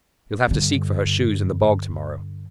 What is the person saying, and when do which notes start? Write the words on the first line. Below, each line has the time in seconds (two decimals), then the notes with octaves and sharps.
You'll have to seek for her shoes in the bog to-morrow.
0.48 G2 D3